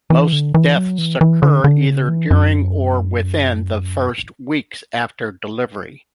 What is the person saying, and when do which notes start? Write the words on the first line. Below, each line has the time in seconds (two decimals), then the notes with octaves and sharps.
Most deaths occur either during or within the first weeks after delivery.
0.10 E3
0.33 D3
0.54 E3
0.76 F#3
0.98 E3
1.21 E3
1.43 D3
1.64 D3
1.86 C#3
2.09 E3
2.31 F#2